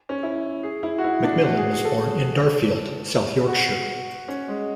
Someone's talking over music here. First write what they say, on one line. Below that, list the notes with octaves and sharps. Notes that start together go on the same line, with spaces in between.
McMillan was born in Darfield, South Yorkshire.
C#4
E4
G#4
E4
F#4
E4
D4
F#4
G#4
G#4
A4
F#4
C#4
G#3